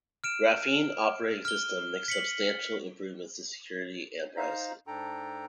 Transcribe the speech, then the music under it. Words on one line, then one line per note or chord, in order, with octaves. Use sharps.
Graphene Operating System makes substantial improvements to security and privacy.
F6 D7 E7
F6 G7
B6 C#7 F#7
D#4 C5 F5 A#5
G#2 D4 A4 G5 A#5